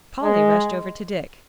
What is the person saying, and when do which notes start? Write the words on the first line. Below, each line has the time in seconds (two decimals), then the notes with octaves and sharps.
Polly rushed over to Dick.
0.23 G#3